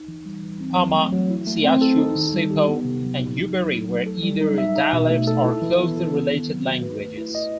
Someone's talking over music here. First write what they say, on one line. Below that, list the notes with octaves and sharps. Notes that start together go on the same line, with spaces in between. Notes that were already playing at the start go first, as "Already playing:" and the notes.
Pama, Sewacu, Sipo, and Yuberi were either dialects or closely related languages.
Already playing: D#4
E3
G3
E3
C4
F#3
A3
F#3
E4
A3
C4
A4
D#4
D#3
G3
G4
B3
C3
F#3
D#4
D#4
F#3
A3
F#3
A4
G3
D#4
E5
D#4
B2
A3
A4
E4
E3
B3
A4
B3
D#3
F#3
F#4
B4
A3
E4
D#5